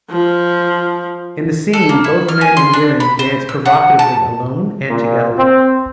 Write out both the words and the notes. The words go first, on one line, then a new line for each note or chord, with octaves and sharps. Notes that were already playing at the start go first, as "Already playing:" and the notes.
In the scene, both men and women dance provocatively alone and together.
F3
A4
A#3
E4
F6
G#5
C6
D4
B5
C5
E6
F#5
A5
A#2
C4